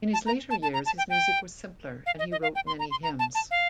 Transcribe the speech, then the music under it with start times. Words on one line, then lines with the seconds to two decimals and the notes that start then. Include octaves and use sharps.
In his later years, his music was simpler, and he wrote many hymns.
0.13 A5
0.26 A#5
0.50 A5
0.63 A5
0.74 A#5
0.86 A5
0.98 G5
1.10 G5
2.06 F5
2.19 D#5
2.32 D#5
2.42 F5
2.55 G5
2.67 C6
2.79 A#5
2.91 C6
3.03 A#5
3.19 A5
3.35 A5
3.51 F5